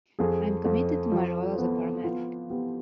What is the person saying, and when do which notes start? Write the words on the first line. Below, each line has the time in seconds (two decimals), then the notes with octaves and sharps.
I am committed to my role as a paramedic.
0.19 F2 G#4
0.65 F2
1.12 F3
1.58 B3
2.04 B3 F4
2.50 B3 G4